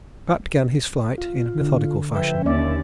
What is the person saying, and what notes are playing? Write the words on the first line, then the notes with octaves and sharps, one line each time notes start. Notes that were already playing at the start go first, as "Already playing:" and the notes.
Pratt began his flight in methodical fashion.
F4
D3
F3 B4 E5 G5
D#2 C#4 D5 E5